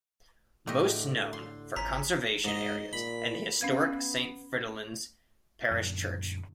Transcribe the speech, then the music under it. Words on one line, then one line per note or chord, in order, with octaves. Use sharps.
Most known for conservation areas and the historic Saint Fridolin's Parish Church.
A2 D3 G4 D#5
C6
G#1 F3 C#4 A#5 B6
G#2 D#5
A#2 B5
B3 C#4 F5 G#6
F#2 A#2 D3 D#3